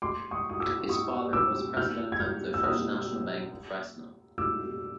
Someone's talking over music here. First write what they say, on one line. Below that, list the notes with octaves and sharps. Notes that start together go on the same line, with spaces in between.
His father was president of the first national bank in Fresno.
C6 D6
C#6 D#6
D#6
D6 E6
C#6 D#6
D6 E6
F6 G6
G#6
F6 G6
E6
D#6 F6
D6 E6